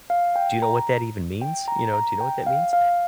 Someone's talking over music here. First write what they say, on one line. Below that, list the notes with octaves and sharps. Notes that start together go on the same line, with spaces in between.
do you know what that even means, you know? Do you know what that means?"
F5
G5
A#5
G5
A#5
A#5
G5
F5
F5